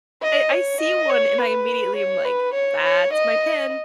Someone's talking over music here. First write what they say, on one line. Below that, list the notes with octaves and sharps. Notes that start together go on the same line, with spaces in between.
I I see one and I immediately am like, "That's my pin.
D#5
C#5
D#5
C#5
B4
C#5
B4
C#5
C#5
D#5